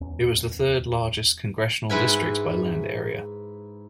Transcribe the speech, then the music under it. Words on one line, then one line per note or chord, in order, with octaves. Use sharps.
It was the third-largest congressional district by land area.
D1 E2 C#4
G#2 E4 B4 G#5